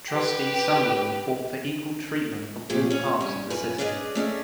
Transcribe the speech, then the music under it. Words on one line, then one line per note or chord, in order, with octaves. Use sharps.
Trustee Sunderland fought for equal treatment of all parts of the city.
G4 B4
A#2 F3 A3 F4 G4 G#4
C#4 F4
G3 C#4
F#2 E4 F4 B4 G#5
C#4 D4 G#4 B4 D5 D#5
A3 C#4 G#4 D5